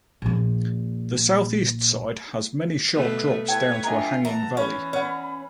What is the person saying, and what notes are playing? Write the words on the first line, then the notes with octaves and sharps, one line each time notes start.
The south-east side has many sharp drops down to a hanging valley.
A#1 A#2
B2 A3 B4
E4 B4 C#5 G5 A5 G#6
D4 F4 D#5 E5 G5 G#5 A#5
E3 E5 F#5 A5 A#5
C#4 B5
C#4 B4 D5 F#5